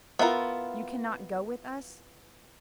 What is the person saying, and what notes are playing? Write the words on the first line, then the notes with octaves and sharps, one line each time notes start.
"You cannot go with us!"
B3 E4 F4 A#4